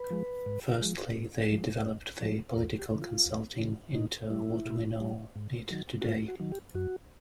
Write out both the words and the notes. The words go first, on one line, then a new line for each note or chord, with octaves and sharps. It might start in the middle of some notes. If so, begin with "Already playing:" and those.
Firstly, they developed the political consulting into what we know it today.
Already playing: B4
F3 G#3
G#2
F3 G#3
G#2
F3 G#3
G#2
F3 G#3
E2 A#4
G4
C#3 E3
F4
E2
C#3 E3
A#2 D#4
G3 E4
A#2
G3
G#2
D#3 F#3
F#4
G#2 F4
F#4
D#3 F#3
G4
F#2 F#4